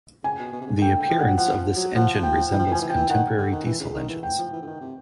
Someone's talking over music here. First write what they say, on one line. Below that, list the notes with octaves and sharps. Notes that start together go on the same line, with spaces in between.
The appearance of this engine resembles contemporary diesel engines.
C#3 G#5
B2
B2
C3
C#3
D#3
D3 G5
D3
G5
F3
F#5
F#3
F3 F#5
F3
F#3
F3 F#5
G5
E3 G5
F3
E3
F3 G#5
E3
F3 G5
E3
D#3 F#5
D3
D#3
E3
C#3
D#3
E3
G5
F3
E3
D3
D#3
C3